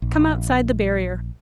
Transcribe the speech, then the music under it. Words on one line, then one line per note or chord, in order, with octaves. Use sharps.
Come outside the barrier.
A#1